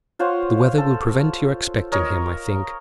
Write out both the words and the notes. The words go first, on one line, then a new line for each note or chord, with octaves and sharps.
The weather will prevent your expecting him, I think.
F4 C5 C#5 F#5
A4
A#4 C#5 D#5